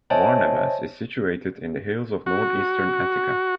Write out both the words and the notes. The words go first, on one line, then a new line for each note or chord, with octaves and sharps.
Varnavas is situated in the hills of northeastern Attica.
C5 C#5 D#5 E5 G#5 A5
F#4